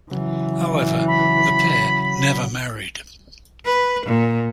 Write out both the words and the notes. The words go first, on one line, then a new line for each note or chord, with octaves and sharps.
However, the pair never married.
C#3 E3 F#3
B5
B4
A#2